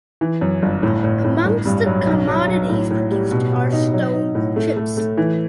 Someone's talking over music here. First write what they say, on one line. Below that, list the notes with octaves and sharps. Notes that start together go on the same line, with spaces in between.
Amongst the commodities produced are stone chips.
E3
F#2
G1
A2
A2
A2
G1
G2
F#3
B1
F#3
F#3
A2
A2
G3
B2
B2
D#4
F#3
D#4
A2
A3
A3
A3
E3